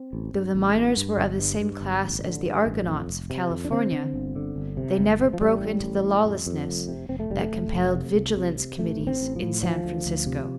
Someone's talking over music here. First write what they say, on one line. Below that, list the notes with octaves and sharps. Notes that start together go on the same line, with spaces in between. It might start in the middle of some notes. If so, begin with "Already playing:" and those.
Though the miners were of the same class as the 'argonauts' of California, they never broke into the lawlessness that compelled vigilance committees in San Francisco.
Already playing: C4
A1
G2
A1
A1
G2
G1
G2
G2
G1
A1
D3
G2
A1
F2
F1
C3
F2
D4
D3 C4
D3
G1
D3
G1
C3
G1
C3
F3
A1 G3
A2
A1
A2
F2
F2
F1
C3
F1 C4
A3
F1 G3
A3
F1
F1
C3
C2
C3
C3
A1 A3
A1
C4
A1
F3
A2
D2 F3
D2
D2
C3